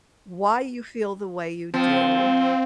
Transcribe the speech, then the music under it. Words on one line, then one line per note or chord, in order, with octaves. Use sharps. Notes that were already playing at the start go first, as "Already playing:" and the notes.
why you feel the way you do,
F3 C4